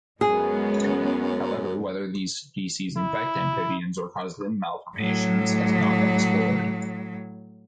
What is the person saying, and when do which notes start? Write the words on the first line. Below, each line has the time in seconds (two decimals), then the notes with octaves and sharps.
However, whether these species infect amphibians or cause limb malformations has not been explored.
0.21 F#2 G#3 B3 C#4 G#4
2.97 E4
4.96 A2 F#3